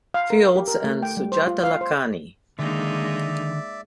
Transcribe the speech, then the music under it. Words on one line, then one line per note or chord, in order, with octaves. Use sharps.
Fields and Sujata Lakhani.
F5
A#4
G4
A#4
A3
G5
G3
C5
F4
F5
C5
D3 D#3 G#3 A#3 D#4 D5 E5